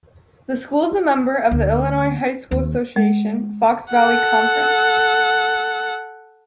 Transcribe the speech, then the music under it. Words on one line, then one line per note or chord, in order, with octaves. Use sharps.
The school is a member of the Illinois High School Association, Fox Valley Conference.
D2
D#2
G#3
A4 F#5